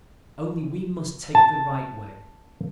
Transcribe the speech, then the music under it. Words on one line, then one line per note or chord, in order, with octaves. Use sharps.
Only we must take the right way.
A5